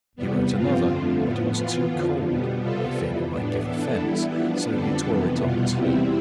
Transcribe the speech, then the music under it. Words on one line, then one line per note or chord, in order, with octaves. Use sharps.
He wrote another, but it was too cold; he feared it might give offence, so he tore it up, too.
E2 C3 G3 B3
G2 F3 C4 F4
F2 D3 F3 A3
A2 F3 B3
E3 B3 F4
F2 D3 F3
B2 G3 B3
C3 G3 B3 F4 A4
F2 E3 G3
A2 E3 B3 D4
E3 B3 D4 A4
E3 G3 B3 E4
F3 B3 D4
F2 D3 G3 D4 A4
F2 C3 E3 B3
E2 B2 G3 B3 F4
E2 C3 G3 C4 E4